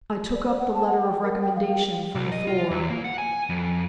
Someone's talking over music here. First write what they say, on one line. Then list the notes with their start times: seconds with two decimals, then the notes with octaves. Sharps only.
I took up the letter of recommendation from the floor.
0.35 D5
0.48 C5
0.60 F#5
0.74 A5
0.87 F#5
1.04 G5
1.23 A#4
1.42 G5
1.56 F5
1.71 G5
2.15 C2
2.32 D#5
2.47 F4
2.71 E2
2.90 A#3
3.05 F#5
3.18 G#5
3.49 F2